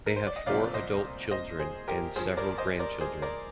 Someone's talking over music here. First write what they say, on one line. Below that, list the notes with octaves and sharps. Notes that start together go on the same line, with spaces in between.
They have four adult children and several grandchildren.
A#4
C5
D5
D#5
C2 A#2 F3 D5 F5
C5 D#5
C5 D#5
G#4 C5
G4 A#4
G2 F3 G#4 C5
A#4 D5
C5 D#5
A#4 D5
G#4 C5
A#4 D5